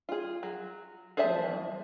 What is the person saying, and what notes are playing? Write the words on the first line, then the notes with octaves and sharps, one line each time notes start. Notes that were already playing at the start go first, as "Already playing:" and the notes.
you know?
F4 G#4
F#3
G#4 C5 D5 E5 A5